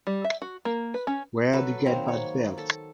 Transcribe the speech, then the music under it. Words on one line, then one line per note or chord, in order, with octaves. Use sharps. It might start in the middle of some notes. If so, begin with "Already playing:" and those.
Where'd you get that belt?
G3
E5
F#4
A#3
B4
C#4
F#3 A4 B4
D#3 F#3 A#3 C4
C#5
A4